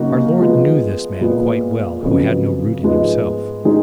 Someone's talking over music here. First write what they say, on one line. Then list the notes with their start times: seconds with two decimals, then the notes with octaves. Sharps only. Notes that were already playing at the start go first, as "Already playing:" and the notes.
Our Lord knew this man quite well who had no root in himself.
Already playing: C#3 F#3 A#3 D#4 F#4
0.39 F3 G#3 B3
1.21 A#2 G#3 B3
2.02 F2 C#3 F#3 B3
2.83 G#2 F3 G#3 B3
3.65 D#3 G#3 D#4 G#4